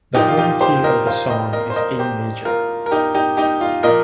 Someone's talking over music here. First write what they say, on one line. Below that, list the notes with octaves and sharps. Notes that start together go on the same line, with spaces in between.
The home key of the song is A-major.
A#2 F3 D#4 G4
F4
D#4 G4
G4 C5
A#4 D#5
C5 F5
D#5 G5
A#4 D#5
C5
A#4 D#5
G4 C5
F4 A#4
A#4
D#4 G4
D#4 G4
D#4 G4
F4
A#2 F3 A#4 D#5